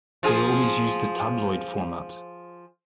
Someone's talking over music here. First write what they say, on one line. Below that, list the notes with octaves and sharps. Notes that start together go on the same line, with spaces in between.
They always use the tabloid format.
F3 F4 G#4